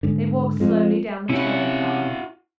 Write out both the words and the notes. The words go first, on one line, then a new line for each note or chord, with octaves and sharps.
They walked slowly down the towing-path.
G#2 D3
F2 G#3
C3 C#4 E4 F#4